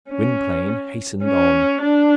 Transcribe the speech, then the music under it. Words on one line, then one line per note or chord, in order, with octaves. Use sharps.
Gwynplaine hastened on.
C#4
C#4
D4